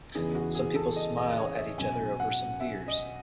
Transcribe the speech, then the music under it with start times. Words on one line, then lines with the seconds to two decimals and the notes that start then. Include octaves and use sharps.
Some people smile at each other over some beers.
0.15 E2 C#3 E3 B3 D#4 G#4
0.35 F#4
0.55 G#4
0.75 A4
0.96 D#5
1.17 D#5
1.38 C#5
1.58 E5
1.78 B2 F#3 C#4 G#5
2.20 F#5
2.60 E5
2.88 D#5